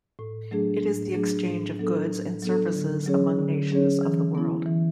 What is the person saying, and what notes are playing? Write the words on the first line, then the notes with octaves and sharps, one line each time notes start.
It is the exchange of goods and services among nations of the world.
A2
F#3 A3 D4 G#4
A2
F#3 A3 D4 G#4
A2
F#3 B3 D4 A4
A2
F#3 B3 D4 A4
D3
F#3 C#4 G#4 C#5
D3
F#3 C#4 G#4 C#5
E3
B3 E4
E3